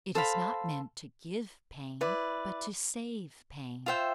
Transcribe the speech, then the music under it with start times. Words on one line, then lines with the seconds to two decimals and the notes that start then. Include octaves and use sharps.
It is not meant to give pain, but to save pain.
0.15 A4 C5 F5 B5
2.01 E4 B4 D5
3.86 F4 C5 E5 G5